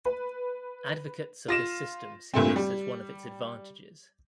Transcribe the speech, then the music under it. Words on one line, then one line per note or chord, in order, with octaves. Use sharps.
Advocates of this system see this as one of its advantages.
B4
F4 A#6 E7
G2 A#2 A3 C4
G3